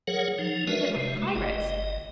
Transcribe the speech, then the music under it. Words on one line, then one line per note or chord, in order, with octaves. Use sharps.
"They look like pirates."
F#3 G#4 A#4 C#5 F#5
F3 D#4
G#3 F#4 A#4 B4 E5
C3 G#3
A3
G1 D#5